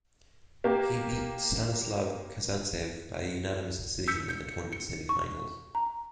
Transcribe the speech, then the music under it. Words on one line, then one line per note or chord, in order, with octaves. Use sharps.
He beat Stanislav Kazantsev by unanimous decision in the tournament semifinals.
A#3 G4
E6 G6 B6 C#7
G6 C#7
C#7
C#6
A#5